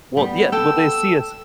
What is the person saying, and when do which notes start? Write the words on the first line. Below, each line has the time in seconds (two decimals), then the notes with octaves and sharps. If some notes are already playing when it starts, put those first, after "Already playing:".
Well, yeah, well, they see us
0.17 G3 B3
0.52 A4 G5 E6